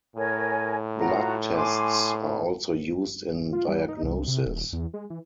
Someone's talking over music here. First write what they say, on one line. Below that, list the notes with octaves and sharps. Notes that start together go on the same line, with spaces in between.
Blood tests are also used in diagnosis.
A2 A#4 C#5 G#5
F4 F#4 A#5
G#5 C6 D6
F4
G3
D#4
C2
C3
D#1
E2
G#3
E3